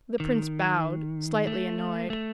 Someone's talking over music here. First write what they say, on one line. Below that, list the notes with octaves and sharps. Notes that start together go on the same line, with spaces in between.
The prince bowed, slightly annoyed.
D#3
A3
A3